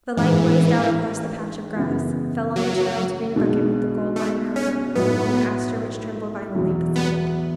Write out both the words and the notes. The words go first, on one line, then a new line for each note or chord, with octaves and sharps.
The light blazed out across the patch of grass; fell on the child's green bucket with the gold line round it, and upon the aster which trembled violently beside it.
A1 G#2 E3 G#3 D4
F#2 C#3 E3 B3
F#3
B1 B2 G#3 D4
A3
C#4
B1 A2 F#3 B3
E2 B2 F#3
B3